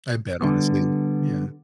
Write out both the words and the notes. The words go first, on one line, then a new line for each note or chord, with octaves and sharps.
I bet, honestly. Yeah.
D3 G3 B3